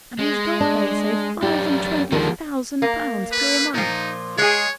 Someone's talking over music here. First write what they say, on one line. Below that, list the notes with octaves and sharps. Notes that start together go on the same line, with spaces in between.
"And he has got they say five-and-twenty thousand pounds clear money."
G#3
D4
F#2 D4 G4
D#2 D3 D#3 F3 G#3
A#3
B4
A#2 F3 D#4
G#3 G#4 C#5